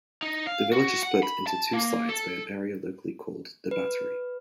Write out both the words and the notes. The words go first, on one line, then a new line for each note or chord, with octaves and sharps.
The village is split into two sides by an area locally called 'The Battery'.
D#4
F5
F#4
F#5
B5
A5
A#3
A4
B4